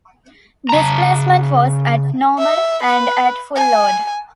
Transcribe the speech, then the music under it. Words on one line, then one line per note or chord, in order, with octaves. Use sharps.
Displacement was at normal and at full load.
C#3 A5 A#5
E5
B4
G#5